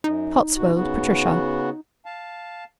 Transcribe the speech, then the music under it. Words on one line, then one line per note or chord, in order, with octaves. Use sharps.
Cotswold Patricia.
F#2 D#4
G2 B2 F#4
C#3 B3 F#4
F5 A5